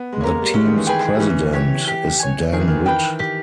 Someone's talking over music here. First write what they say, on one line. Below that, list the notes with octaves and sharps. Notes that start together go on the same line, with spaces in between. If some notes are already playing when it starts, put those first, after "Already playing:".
The team's president is Dan Witt.
Already playing: B3
G#3
A#3 A#4 C#5
G3
G#3 C#4
D#3
E3
G#4 B4 G5
G3
E3 C#4
G4 C#5
G4
C#5 G#5
D#3 G#4
E3
D#3
B4 G5
G4